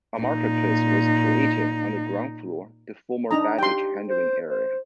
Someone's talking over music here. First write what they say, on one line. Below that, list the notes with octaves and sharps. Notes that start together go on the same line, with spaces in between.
A marketplace was created on the ground floor, the former baggage handling area.
A#2 D#4
D4 D#4 A#5 D#6
G4 G5 C6
C5
C5